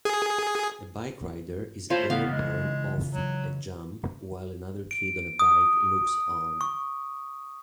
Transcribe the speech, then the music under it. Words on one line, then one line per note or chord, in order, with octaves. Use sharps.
A bike rider is airborne off a jump while another kid on a bike looks on.
G#4
A3 F4 C5 C#5 A5
C#3 E3 B3 F4 F5
G#3
F#3
D7
D#6
C#6